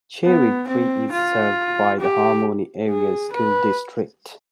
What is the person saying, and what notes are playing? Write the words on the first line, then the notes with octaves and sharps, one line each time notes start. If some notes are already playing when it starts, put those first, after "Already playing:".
Cherry Tree is served by the Harmony Area School District.
B3
C4
F4
G4
G#4
B4